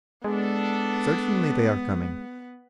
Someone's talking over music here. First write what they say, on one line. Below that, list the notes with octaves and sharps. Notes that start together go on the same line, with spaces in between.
Certainly, they are coming.
G#3 B3 D4 A4